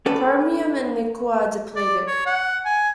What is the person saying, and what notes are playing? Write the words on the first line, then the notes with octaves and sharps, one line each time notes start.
Chromium and nickel are depleted.
C#4 A4 B4 D5
D5
C#5
F#5
G#5